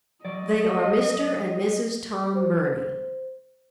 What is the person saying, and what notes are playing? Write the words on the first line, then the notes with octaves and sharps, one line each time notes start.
They are Mr. and Mrs. Tom Burney.
F#3 D5 D#5
C5